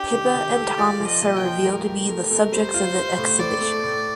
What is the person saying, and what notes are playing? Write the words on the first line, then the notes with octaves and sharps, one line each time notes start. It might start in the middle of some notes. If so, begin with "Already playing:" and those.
Pippa and Thomas are revealed to be the subjects of the exhibition.
Already playing: D4 G4
D#3
D#3
A4
F4 D5
F3
D#5
A#2
G5
F3
A2 A#4
G4
A3
A3
G3 C5
F4
F4
A2
A2 D5
A3
A2